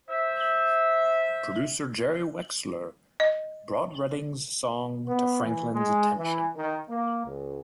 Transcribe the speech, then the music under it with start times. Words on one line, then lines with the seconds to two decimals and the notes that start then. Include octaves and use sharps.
Producer Jerry Wexler brought Redding's song to Franklin's attention.
0.09 C5 E5
3.20 D#5
5.07 B3
5.43 E3
5.72 G#3
6.17 E3
6.56 D#3
6.89 A#3
7.26 C#2